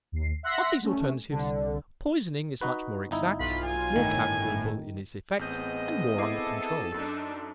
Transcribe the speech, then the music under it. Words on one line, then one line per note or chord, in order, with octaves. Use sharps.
Of these alternatives, poisoning is much more exact, more calculable in its effect and more under control.
D#2 C7
E5 F#5 C6 F#6 A#6 B6
G3 A3 C#4
C2 D3
D#4 F#4 B4
G1 D#4 E4
B1 F4 B5
G#5
G1 A2 D#3
A1 B3 C4 G#4 D#5 G6
E4 A4 D6 C7
F#2 D4 D#4